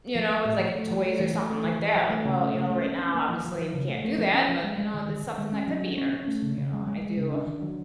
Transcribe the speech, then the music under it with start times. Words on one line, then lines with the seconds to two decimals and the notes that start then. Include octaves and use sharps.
you know, it's like toys or something like that. Like, "Well, you know, right now, obviously, we can't do that, but, you know, it's something that could be earned," you know? I do
0.15 F3
0.30 A3
0.45 A2
0.60 F3
0.75 A3
0.91 F3
1.05 A3
1.19 E3
1.34 A3
1.50 A3
1.64 E3
1.79 E3
1.95 F#3
2.10 A3
2.25 C#3
2.40 A3
2.55 C#3
2.70 A3
2.84 C#4
2.99 C#4
3.14 A#3
3.29 F3
3.45 F3
3.58 F3
3.74 C#3
3.89 A3
4.04 A3
4.18 F3
4.34 C#4
4.49 F3
4.64 G#3
4.78 G#3
4.94 D#3
5.08 D#3
5.24 D#3
5.38 G#3
5.53 C#4
5.67 F#3
5.82 C#4
5.98 C#4
6.13 C#4
6.28 A3
6.42 C#3
6.58 C#3
6.73 G#3
6.87 G#3
7.02 G#3
7.17 C#3
7.32 D4
7.47 D#3
7.62 F#3